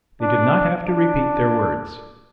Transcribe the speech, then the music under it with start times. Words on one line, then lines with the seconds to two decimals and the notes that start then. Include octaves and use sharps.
They did not have to repeat their words.
0.21 D4
0.86 D4